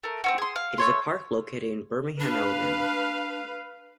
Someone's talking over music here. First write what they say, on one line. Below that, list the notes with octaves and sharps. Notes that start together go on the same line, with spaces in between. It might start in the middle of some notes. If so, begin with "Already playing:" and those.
It is a park located in Birmingham, Alabama.
A3 A#4
C4 C#4 F#4
G#4 C6
F5
A3 C#5 C6
D4 B4 F5